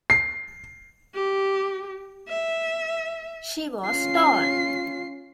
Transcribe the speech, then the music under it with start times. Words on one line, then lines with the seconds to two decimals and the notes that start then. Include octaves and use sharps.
She was tall.
0.10 C7
1.15 G4
2.29 E5
3.86 C#4 F4 C7